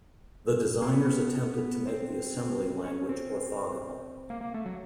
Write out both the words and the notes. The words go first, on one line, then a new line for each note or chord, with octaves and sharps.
The designers attempted to make the assembly language orthogonal.
A#3
B3
C4
C#4
C4
A#3
A#3
A3
F#3